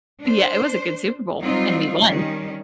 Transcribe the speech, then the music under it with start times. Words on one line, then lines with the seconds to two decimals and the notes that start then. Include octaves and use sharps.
Yeah, it was a good Super Bowl, and we won.
0.20 D4 C5
1.40 F#3 G3 C4 D#4 F4
2.05 D#3 G3 C#4